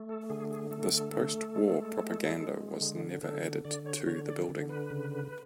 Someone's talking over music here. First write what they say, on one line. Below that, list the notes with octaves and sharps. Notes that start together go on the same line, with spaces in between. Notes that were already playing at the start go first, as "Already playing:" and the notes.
This post-war propaganda was never added to the building.
Already playing: A3
A4
D3 G#4
G#4
A3 A4
A3
G#3
G#3
G#3
D3
D3 A4
D3 D5
C#5
D3 C#5
D5
D3
B4
C#3